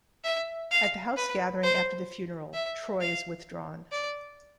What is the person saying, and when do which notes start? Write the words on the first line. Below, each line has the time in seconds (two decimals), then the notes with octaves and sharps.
At the house gathering after the funeral, Troy is withdrawn.
0.24 E5
0.71 F5
1.17 B4
1.63 C5
2.54 E5
3.01 F5
3.92 D5